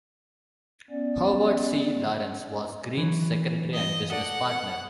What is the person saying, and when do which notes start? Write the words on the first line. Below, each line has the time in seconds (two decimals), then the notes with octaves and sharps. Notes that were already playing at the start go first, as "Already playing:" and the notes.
Howard C. Lawrence was Green's secretary and business partner.
0.90 B3 C#4 D5
2.97 E3 F#3
3.74 D#5
4.12 A4 D5 F#5